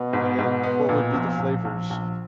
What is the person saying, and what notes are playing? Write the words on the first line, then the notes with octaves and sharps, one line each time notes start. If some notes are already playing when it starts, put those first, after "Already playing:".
And what would be the flavors
Already playing: B2
G#2
G#2
B3
A#2
A#1
A#1
A#1
A#1